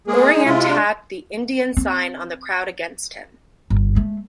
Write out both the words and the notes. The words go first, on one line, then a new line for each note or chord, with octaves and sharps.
Oriente had the ‘Indian sign’ on the crowd against him.
G#3 A#3 G#4
D#4
C3 G#3 E4 F4
D4
C4
G1
G#3 A3